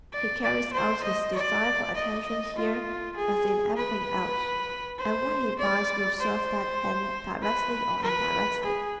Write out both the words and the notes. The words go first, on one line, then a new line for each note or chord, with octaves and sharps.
He carries out his desire for attention here as in everything else and what he buys will serve that end directly or indirectly.
D5
D5
C5
D#5
D5
D#5
F4
G#4
B4
C5
D5
C5
B4
B4
G#4